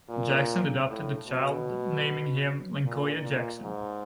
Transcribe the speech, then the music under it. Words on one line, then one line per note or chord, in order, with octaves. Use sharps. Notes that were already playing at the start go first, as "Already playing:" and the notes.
Jackson adopted the child, naming him Lyncoya Jackson.
A#2
A2
B2
A#2
A#2
G#2